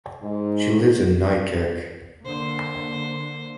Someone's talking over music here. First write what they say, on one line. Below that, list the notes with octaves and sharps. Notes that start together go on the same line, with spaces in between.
She lives in Nijkerk.
G#2
D3 A#3 C5